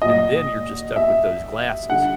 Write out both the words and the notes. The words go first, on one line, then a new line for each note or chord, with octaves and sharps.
And then you're just stuck with those glasses
A#2 F#3 D#5
E5
D3 G3 F#5